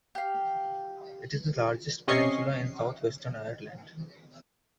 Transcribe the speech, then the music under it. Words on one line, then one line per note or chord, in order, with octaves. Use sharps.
It is the largest peninsula in southwestern Ireland.
G4 F5
C3 C#4 D#5 C#6 C7